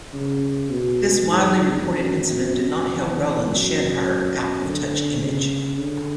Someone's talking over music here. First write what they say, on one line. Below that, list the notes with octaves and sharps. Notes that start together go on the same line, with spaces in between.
This widely reported incident did not help Rowlands shed her 'out-of-touch' image.
C#3
B2
G#2
F#2
E2
F#2
D3
C#3
D3